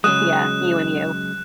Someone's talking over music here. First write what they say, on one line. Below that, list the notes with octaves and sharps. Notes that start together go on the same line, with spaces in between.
Yeah, you and you.
C#3 F#3 G#3 D#6 F#6 E7